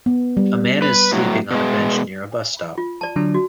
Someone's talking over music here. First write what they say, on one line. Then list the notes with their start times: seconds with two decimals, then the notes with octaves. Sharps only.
A man is sleeping on a bench near a bus stop.
0.06 B3
0.37 G3
0.82 B4
1.11 A2 F#3
1.51 B2 G#3
2.78 F4
3.01 D5 A5
3.16 D3 F#3 D4
3.34 F#4